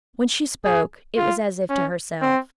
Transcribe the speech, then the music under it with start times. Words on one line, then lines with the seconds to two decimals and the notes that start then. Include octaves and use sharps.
When she spoke, it was as if to herself.
0.65 G#4
1.17 F4
1.70 C#4
2.22 C4